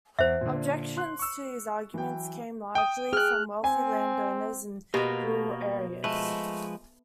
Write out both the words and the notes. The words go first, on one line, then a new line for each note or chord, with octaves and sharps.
Objections to these arguments came largely from wealthy land owners in rural areas.
E2 C5 E5
A#2 D3
C6 F#6
C#6 E6
E3 F#3 G5
G5 D#6
G#4 F6 F#6
C4 G#5
B2 G#3 A#3 B3 G4 A#4
F3 G#3 A3 B4